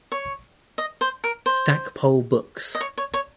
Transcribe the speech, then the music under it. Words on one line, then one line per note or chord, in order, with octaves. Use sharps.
Stackpole Books.
C#5
D#5
C5
A#4
C5
D#5
C#5
C#5
C#5